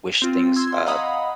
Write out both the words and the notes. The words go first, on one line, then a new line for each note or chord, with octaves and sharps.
wish things, uh,
C4 F4
C6 E6 G#6
D#5 F5 F#5 A#5 B5 D#6